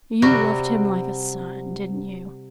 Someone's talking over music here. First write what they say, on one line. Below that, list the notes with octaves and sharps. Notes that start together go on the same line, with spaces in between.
You loved him like a son; didn't you?
C3 G3 F#4